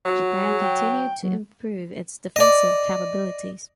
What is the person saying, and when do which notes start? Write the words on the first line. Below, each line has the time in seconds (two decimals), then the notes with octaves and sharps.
Japan continued to improve its defensive capabilities.
0.05 F#3 F#4
0.43 G#4
0.61 G5
1.23 F#3
2.36 D5 D#5